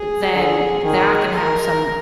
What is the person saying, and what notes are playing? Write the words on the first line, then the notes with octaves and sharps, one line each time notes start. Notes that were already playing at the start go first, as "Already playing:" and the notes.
then that can have some
Already playing: G#4
D3
D#3 G#4
A#4